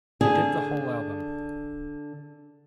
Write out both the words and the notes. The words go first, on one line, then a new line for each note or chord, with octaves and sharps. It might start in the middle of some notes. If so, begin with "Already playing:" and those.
They did the whole album.
D3 G#4